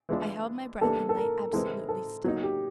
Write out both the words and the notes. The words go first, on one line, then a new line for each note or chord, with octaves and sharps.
I held my breath and lay absolutely still.
E3 G#3 B3 D4 F4
E3 G3 A#3 D4 A4
A4
A#4
E3 G#3 C4 E4 A4
A4
F#3 A#3 D#4
G4